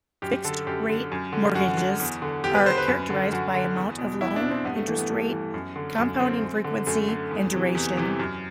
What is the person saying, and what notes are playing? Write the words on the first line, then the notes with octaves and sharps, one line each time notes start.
Fixed-rate mortgages are characterized by amount of loan, interest rate, compounding frequency, and duration.
F#2 G4
D3 A4
F#2 G4
D3
F#2
D3
F#2 F#4
D3
E2
D3
E2 G4
B4
D3 C5
B4
F#2
D3
F#2 F#4
D3
E2
B2
E2 E4
D4
B2
C4
G2 B3
A3
E3 A3
B3
G2
E3
F#2
D3
F#2
D3 C4
F#2
D3
F#2 A3
D3
E2
C3 E3
E2
C3 E3
F#2